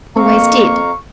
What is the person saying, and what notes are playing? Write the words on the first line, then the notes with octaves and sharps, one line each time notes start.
Always did.
F2 A#3 C4 F5 A#5 C#6